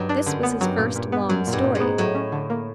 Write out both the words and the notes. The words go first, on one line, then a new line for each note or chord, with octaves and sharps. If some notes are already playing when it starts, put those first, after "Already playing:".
This was his first long story.
Already playing: G2 F#3
D4
F#2 D3
B3
G2 F#3
A#2
A#2
B3
F#2 F#3
A#2
G2
A#2
G#2
B3
A2 F#3
C#4
D3
A#3